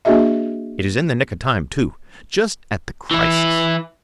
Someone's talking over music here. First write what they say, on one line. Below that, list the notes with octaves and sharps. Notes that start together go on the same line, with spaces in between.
It is in the nick of time, too, just at the crisis.
A#3 D4 F#4 G#4 D#5 E5
E3 E4